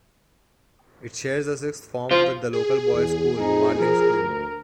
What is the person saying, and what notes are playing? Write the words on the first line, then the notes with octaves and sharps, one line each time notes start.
It shares a Sixth Form with the local boys' school, Marling School.
F3 F4
G#4
E2
F2 D#4
F3 A#4
D2